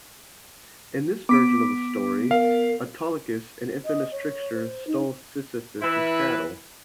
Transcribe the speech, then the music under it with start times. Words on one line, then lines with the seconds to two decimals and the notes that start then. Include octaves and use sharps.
In this version of the story, Autolycus, an infamous trickster, stole Sisyphus' cattle.
1.29 B3 D6 B6 D7
2.31 A#4 F5
3.85 D#5
4.12 C#5
4.54 C5
4.87 D#4
5.82 E3 E4 B4